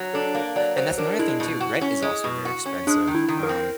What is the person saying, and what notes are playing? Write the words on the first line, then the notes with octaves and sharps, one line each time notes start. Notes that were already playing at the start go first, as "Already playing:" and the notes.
and that's another thing too. Rent is also very expensive, um,
Already playing: F#3
D4 A4
A#3
F#3 D5
F#3 C5
D4 A#4
G#3 E4
B2
F#4
C#4
G#3
B2
F#4
C#4
G#3 D4
D#3
E4
D#3
A#4
C4